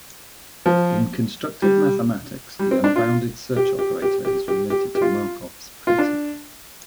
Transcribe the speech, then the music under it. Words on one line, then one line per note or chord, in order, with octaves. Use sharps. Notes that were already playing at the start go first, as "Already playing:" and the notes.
In constructive mathematics, the unbounded search operator is related to Markov's principle.
F3
G3
G3
C4
D4
F4
G4
G4
G4
G4
G4
G4
G4
F4
F4
D4